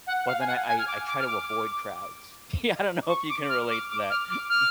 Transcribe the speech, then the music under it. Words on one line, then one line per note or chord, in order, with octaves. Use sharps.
but then I I I try to avoid crowds. Yeah, I don't know if you can relate to that.
F#5
F#5
F5
G#5
F#5
G#5
F6
D6
D6
F6
D6
C#6
D6
F6
D6
D6
F6
D6
F6